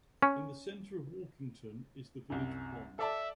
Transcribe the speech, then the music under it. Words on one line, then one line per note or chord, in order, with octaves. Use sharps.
In the centre of Walkington is the village pond.
C#4
C2 F#2
A4 D5 E5 A5